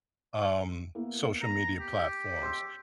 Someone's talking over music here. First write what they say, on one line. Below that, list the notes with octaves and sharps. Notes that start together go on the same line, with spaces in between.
um, social media platforms.
A#3 B3 E4
A#5
G4
C6 E6